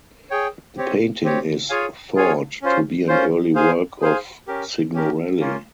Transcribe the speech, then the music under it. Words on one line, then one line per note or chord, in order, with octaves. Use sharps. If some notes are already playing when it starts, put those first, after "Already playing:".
The painting is thought to be an early work of Signorelli.
G#4 C#5 G5
C4 G4 C#5
C4 G4 C#5
F4 G#4 C#5 F5 G#5
F4 G#4 C#5 F5 G#5
C#4 F4 C5
C#4 F4 C5
G#4 C5 F5 G#5
G#4 C5 F5 G#5
C#4 G4 A#4
C#4 G4 A#4
A#3 C#4 F4